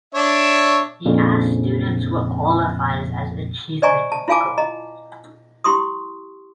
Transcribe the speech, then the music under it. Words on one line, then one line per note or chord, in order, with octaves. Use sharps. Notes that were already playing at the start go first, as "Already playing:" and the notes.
He asked students what qualifies as achievement in school.
D4 C#5 E5
A#1 F2 A#2 C#3
C5 D5 D#5 G#5 A#5 C#6
A5
E4 F4 F5 G#5 A5 D6
D#5 A#5
E4 G4 C6 C#6 D#6